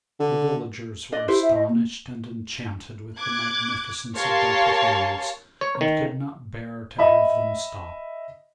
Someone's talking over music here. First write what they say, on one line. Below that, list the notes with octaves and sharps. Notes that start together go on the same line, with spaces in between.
The villagers were astonished and enchanted with the magnificence of their performance, and could not bear to have them stop.
D3
D4 D5 D#5
E4 G4 C5
E5
D#5
A#3
D6 F#6 G#6
G4 A#4 C#5 F5 A5 C6
C#5
D#3
D#5 E5 B5